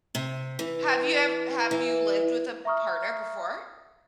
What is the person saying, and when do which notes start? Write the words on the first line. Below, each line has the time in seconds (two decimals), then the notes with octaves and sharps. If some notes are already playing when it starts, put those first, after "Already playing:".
Have you ev have you lived with a partner before?
0.15 C3
0.59 E3
1.71 E3
2.65 E5 A#5 C#6 D#6 F6